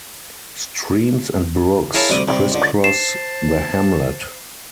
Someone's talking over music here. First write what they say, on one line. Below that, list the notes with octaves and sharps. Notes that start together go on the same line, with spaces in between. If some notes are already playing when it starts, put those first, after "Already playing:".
Streams and brooks criss cross the hamlet.
E4 G#4 A#4 C#5 F5 A5
D2 C3 G3 D6 D#6
C3 G3
C#2 D3
C5 A5 C7 E7